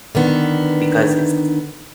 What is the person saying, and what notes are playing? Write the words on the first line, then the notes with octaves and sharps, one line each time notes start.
because it's
D3 D#3 B3